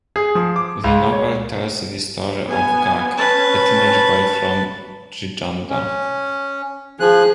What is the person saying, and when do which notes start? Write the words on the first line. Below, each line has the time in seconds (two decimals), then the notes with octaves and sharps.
The novel tells the story of Gack, a teenage boy from Giganda.
0.16 G#4
0.35 F3
0.56 D6
0.84 C#2
1.12 C#5
2.45 B3 G#5
3.17 C#4 B4 A5
5.70 C#4
7.00 F3 G#4 F#6